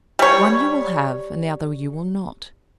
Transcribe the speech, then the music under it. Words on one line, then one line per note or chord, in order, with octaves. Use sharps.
One you will have, and the other you will not.
G3 C#5